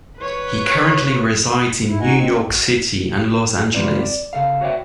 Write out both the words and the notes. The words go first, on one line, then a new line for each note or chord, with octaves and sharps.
He currently resides in New York City and Los Angeles.
B4 C#5
E4
D#4 F#4 D#5 F#5 G#5
G#3 C4 C#4
C3 G#3 C4
F#4
E3 G#3 C4 F4 B4 D5
D5
C#3 A4 F5
F#4 B4 C#5 D5 E5 G5